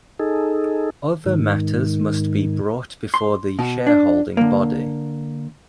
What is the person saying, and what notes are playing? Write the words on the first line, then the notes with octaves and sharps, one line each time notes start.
Other matters must be brought before the shareholding body.
D#4 G#4 A4
G#2 D#3
C6
B2
D4
D3 A#3